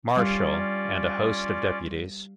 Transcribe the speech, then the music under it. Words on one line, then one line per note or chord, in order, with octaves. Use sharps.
Marshal and a host of deputies.
G3 C#4 F4 D5 F5